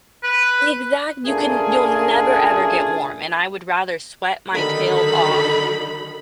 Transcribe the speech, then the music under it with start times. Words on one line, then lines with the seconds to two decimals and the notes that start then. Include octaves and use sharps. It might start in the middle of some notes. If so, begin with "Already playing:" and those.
Exact you can you'll never ever get warm. And I would rather sweat my tail off
0.23 B4
1.26 A#2 A3 C#4 D4 G#4
4.53 D3 D#3 F#3 D#4 A4 B5